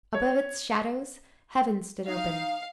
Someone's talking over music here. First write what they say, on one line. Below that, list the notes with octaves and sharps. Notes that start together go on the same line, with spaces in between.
Above its shadows heaven stood open.
C#5
D#4 F5